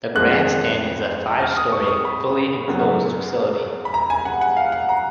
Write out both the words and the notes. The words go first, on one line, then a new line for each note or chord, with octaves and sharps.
The grandstand is a five-story, fully enclosed facility.
F2 F3 G#3 B3 F#6
F6
D#6
C#6
D#6
B5
F#2 C#3 F#3 B3
B5
A#5
G#5
F#5
F#5
F5
F#5
A#5